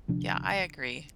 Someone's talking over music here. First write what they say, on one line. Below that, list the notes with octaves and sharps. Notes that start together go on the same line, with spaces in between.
Yeah, I agree.
D2 C3 F3 D4